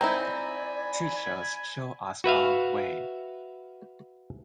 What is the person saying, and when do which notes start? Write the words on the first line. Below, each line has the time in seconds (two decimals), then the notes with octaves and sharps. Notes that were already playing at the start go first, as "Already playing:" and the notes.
Teachers show us our way.
0.01 C4 D#4 E4 D5 G#5 A#5 B5
2.24 F#4 B4 E5 F5